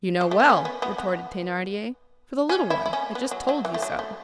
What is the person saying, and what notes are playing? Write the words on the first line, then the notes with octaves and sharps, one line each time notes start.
"You know well," retorted Thenardier, "for the little one I just told you so."
F#3
A3
B3
C#4
B3
B3
B3
C#4
E4
E4
C#4
B3
F#3
F#3
E3
A3
F#3
A3